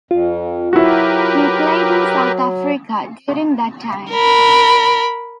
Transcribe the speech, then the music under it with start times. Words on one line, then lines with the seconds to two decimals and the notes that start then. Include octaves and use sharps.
He played in South Africa during that time.
0.11 F2 F4
0.73 F#3 E4 F#4 G4 A#4 B4
4.11 A#4 B5